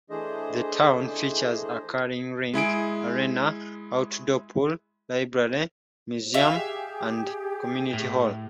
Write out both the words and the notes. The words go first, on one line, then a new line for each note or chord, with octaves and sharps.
The town features a curling rink, arena, outdoor pool, library, museum and community hall.
E3 A3 D4 G#4 C5 D#5
G#3 E4 G#4 D7
F#4 E5 F5 G#5
G4 G#4
A2